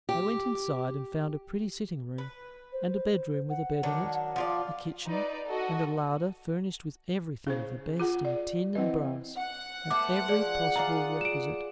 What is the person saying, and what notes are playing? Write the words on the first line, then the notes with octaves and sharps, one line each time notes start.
They went inside and found a pretty sitting-room, and a bedroom with a bed in it, a kitchen, and a larder furnished with everything of the best in tin and brass, and every possible requisite.
G4
B4
C5
F#5
D#3 F#3 D4
F3 F4 D5
D#4 B4 D5
F#4 A4 D#5
C#3 G#4 C5
F4 G#4 F#5
D5
E3 C4 D#5 F#5
F#5
A3 B3 C5 D6
F3 G#4 D5
F4 G#4 D5 A#5
D7 E7